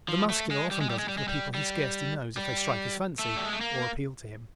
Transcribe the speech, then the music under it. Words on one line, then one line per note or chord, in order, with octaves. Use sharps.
But the Muscular often does it for people he scarcely knows if they strike his fancy or appeal to him.
F3
A3
G#3
G3
G#3
G3
G#3
G3
G#3
G3
G3
G3
A3
G3
G#3
A3
A#3